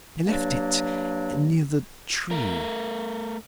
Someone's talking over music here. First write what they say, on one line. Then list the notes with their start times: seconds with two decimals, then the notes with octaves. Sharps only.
"I left it near the tree."
0.25 G2 F#3 A#3 D4
2.31 A3 A#4